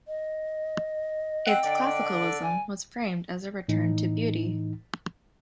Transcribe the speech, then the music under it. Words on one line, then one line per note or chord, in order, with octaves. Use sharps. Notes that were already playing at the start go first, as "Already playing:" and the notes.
Its Classicism was framed as a return to beauty.
D#5
C4 F#5 G5
D3 D5
A4
G#5
A2 E3 D#4